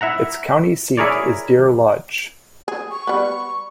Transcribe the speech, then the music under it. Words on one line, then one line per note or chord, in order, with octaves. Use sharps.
Its county seat is Deer Lodge.
E4 E5 F#5 A#5
E4 G#4 A#4 C#5 D5
G#4
C#6
G3 B3